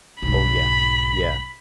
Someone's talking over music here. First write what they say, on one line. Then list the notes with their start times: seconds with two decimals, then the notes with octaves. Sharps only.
Oh, yeah. Yeah.
0.22 B1 G#2 B5